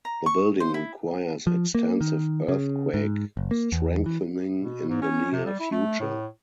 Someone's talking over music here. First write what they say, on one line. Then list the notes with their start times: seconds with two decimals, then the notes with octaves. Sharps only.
The building requires extensive earthquake strengthening in the near future.
0.05 A#5
0.26 C#6
0.60 C5
0.74 E4
1.47 F3
1.75 A#3
2.01 D#3
2.48 C#3
2.94 G#2
3.37 F#1
3.51 A#3
3.72 E2
4.06 E3
4.60 B2
4.88 G#2
5.02 C#4
5.32 C3
5.45 G3
5.60 E4
5.71 A3
6.00 A2